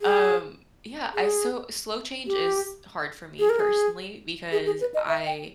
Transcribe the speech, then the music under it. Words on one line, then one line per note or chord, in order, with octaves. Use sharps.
Um, yeah, I, so slow change is hard for me, personally because I
G#4
G#4
G4
G#4
A#4
G#4
G#4
G#4
B4
D#5
E5
G5